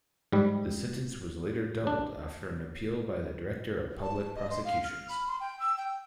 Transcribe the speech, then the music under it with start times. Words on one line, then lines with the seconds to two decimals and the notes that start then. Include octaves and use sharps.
The sentence was later doubled after an appeal by the Director of Public Prosecutions.
0.32 G#2 G3
1.87 D4
4.02 A5
4.35 D#5
4.50 C6
4.64 F5
4.84 F6
5.09 B5
5.27 C6
5.40 G5
5.60 E6
5.78 G5